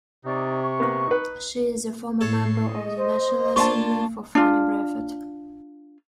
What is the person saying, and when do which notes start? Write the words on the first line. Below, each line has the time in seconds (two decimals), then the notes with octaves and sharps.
She is the former member of the National Assembly for Foni Brefet.
0.24 C3 D#4 D5 C#6
0.62 C#6
0.80 A#3 B3
1.07 D#4 B4
2.21 A2 A4 C#5 C7
2.64 D#5
2.97 C5
3.56 A#3 D4 F4 A5 C6 C#6
4.35 D4 F4